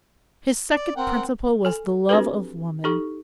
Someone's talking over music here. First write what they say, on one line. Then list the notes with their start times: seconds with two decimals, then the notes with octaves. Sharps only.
His second principle was the love of woman.
0.74 D5
0.96 C4 A#4 F#5 G5
1.65 A4 G#5
2.09 C4 D4 F#4 G4 A4 B4
2.84 D#4 G4 A4 C#6